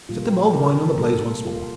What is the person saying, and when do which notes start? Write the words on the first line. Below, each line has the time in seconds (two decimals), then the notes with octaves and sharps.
Set the mulled wine on the blaze once more!
0.09 A#2 G3 A#3 F4
0.24 G4
0.39 G4
0.54 A#4
0.66 A4
0.77 A4
0.89 A#4
1.00 C3 G3 A#3 A4
1.45 F4